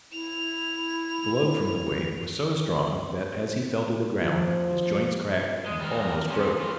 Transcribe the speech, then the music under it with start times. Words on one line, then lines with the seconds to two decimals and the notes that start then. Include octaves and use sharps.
The blow from the wave was so strong that, as he fell to the ground, his joints cracked and almost broke.
0.12 E4 F7
4.16 F3
5.66 G#3
5.81 G3 A#4
6.30 C3 C#4
6.60 A2 F4